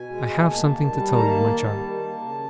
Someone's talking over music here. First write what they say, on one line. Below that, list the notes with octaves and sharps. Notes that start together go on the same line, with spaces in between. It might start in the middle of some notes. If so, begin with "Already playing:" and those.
I have something to tell you, my child.'
Already playing: B2 G#5
G#3
B2
A#3 A5
D#3
G3
D#3
A#5
A#3 A5
D#3
G3
D#3
A#3
C#3